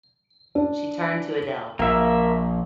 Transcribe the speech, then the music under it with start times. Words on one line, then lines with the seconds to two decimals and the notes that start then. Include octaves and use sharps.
She turned to Adele.
0.55 D4
1.79 A#1 A#3 E5